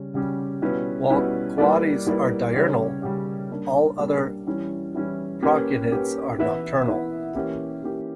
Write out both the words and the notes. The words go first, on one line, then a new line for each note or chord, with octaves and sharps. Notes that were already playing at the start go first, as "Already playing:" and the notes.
While coatis are diurnal, all other procyonids are nocturnal.
Already playing: C#3 G3 C#4
C#3 G3 C#4 G4
B2 G3 C#4 E4 B4
B2 G3 C#4 E4 B4
G3 A#3 E4 B4 D5
G3 A#3 E4 B4 D5
C#3 G3 C#4 G4 C#5
C#3 G3 C#4 G4 C#5
G3 A#3 D4
G3 A#3 D4
E3 G3 C#4 E4
E3 G3 C#4 E4
A#3 C#4 G4 B4
A#3 C#4 G4 B4
E3 B3 E4 B4 E5
E3 B3 E4 B4 E5
E3 A#3 C#4 G4
E3 A#3 C#4 G4